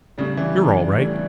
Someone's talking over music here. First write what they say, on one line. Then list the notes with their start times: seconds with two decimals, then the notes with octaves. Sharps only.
You're all right!
0.18 A2 C#3 G3 D4
0.37 E3
0.58 A2 G3 D4
0.98 A2 G3 D4